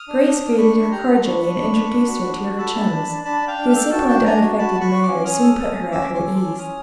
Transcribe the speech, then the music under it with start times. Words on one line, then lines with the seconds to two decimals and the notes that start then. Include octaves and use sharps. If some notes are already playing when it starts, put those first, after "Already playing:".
Grace greeted her cordially and introduced her to her chums, whose simple and unaffected manners soon put her at her ease.
Already playing: D#6 F6
0.08 D4
0.24 D4
0.41 D4
0.57 D4 B5 C#6
0.74 D4
0.80 B5
0.91 G4 A#5 C6
1.08 D4
1.24 D4 B5 C#6
1.41 D4
1.58 D4
1.75 D4
1.92 D4
2.08 F#4
2.25 D4
2.41 F#4
2.58 A4 A5 B5
2.75 D4
2.91 D4
3.08 D4
3.25 D4 A5 B5
3.42 D4
3.47 F5 G5
3.58 D4
3.69 F5 G5
3.75 A4
3.91 F#4 G5 A5
4.08 D4 G5 A5
4.25 D4 G#5 A#5
4.42 F#4
4.58 F#4 A5 B5
4.75 F#4
4.80 B5 C#6
4.92 F#4
5.03 C6 D6
5.08 C#4
5.25 C#4 D#6 F6
5.42 A4
5.59 A4
5.75 C#4
5.92 C#4 D6 E6
6.08 C#4
6.14 C6 D6
6.25 A4
6.36 C6 D6
6.42 C#4
6.59 C#4 D#6 F6